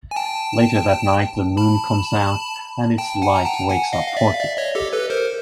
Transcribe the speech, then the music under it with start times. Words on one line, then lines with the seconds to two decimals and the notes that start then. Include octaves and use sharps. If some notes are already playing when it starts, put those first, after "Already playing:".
Later that night, the moon comes out and its light wakes up Porky.
0.11 G#5
0.16 G5 A5
1.57 A5 B5
2.98 G5 A5
3.22 F#5 G#5
3.36 A#5
3.45 G5 A5
3.69 F#5 G#5
3.93 D#5 F5
4.08 F5
4.17 D5 E5
4.33 F5
4.40 D5 E5
4.57 C#5 D#5
4.75 G4 A4
4.93 A4 B4
5.10 A#4 C5